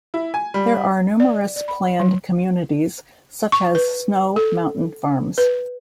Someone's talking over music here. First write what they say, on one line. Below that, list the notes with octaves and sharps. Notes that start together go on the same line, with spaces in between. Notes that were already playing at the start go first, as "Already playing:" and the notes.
There are numerous planned communities such as Snow Mountain Farms.
E4
G#5
G3
D5
D5
B5
F#3
C#6
B4
A4
B4